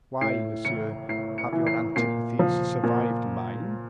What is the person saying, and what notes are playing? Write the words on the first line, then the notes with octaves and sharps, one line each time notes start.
Why, monsieur, have your antipathies survived mine?
A2 C7
E3 C#7
A2 C7
C#7
E3
C7
A#2 C7
F3
A#2